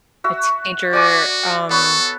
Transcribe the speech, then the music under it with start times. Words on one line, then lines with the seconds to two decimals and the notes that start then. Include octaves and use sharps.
a teenager, um,
0.24 F#4 E5
0.93 F#4 D5 G#5 D6
1.70 B3 A4 C#5